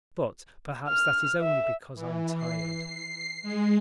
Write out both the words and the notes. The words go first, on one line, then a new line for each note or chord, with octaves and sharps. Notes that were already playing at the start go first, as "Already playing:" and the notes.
But perhaps that is only because I'm tired.
F6
E5
E3
C7
G#3